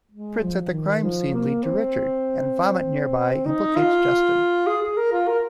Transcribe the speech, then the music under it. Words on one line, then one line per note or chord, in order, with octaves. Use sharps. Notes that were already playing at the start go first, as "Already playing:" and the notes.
Footprints at the crime scene lead to Richard, and vomit nearby implicates Justin.
G#3
F3
D#3
F3
A#3
C4
D#4
F4
G#4
G#4
A#4
F4
A#4